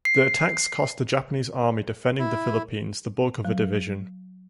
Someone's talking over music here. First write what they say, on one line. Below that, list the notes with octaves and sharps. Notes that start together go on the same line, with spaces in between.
The attacks cost the Japanese army defending the Philippines the bulk of a division.
C7
E4
F#3